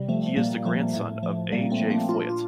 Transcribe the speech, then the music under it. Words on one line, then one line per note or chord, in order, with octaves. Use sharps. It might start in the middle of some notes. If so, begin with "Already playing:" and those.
He is the grandson of A. J. Foyt.
Already playing: C3 G3
F3 A3
A#2 G3 A#3
F3 A3
A2 A3
F3 A3
A#2 G3 A#3
A3 C4
F3
A#3 D4
A#2 D4 F4
F4